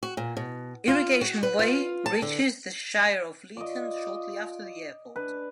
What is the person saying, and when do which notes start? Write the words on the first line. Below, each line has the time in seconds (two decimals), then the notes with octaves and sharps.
Irrigation Way reaches the Shire of Leeton shortly after the airport.
0.03 F#4
0.17 A#2
0.37 B2
0.88 F4
1.21 F#4
1.43 B4
1.59 F4
2.06 A5
2.22 D3
3.57 F4 D5 D#5
5.16 D4 B4